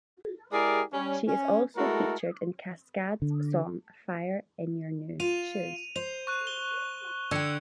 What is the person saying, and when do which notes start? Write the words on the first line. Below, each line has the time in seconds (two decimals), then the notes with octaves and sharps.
She is also featured in Kaskade's song "Fire in Your New Shoes".
0.51 G#3 E4 G4 G#4 A#4 D5
0.92 G3 C#4
1.27 C#4
1.76 G#3 A3 E4 F#4 A4 A#4
3.22 D3
5.20 F4 D#7 F7
5.96 C5 F7
6.27 C#6 F#6
6.47 G7
7.31 D3 G5 E6 G#6 C#7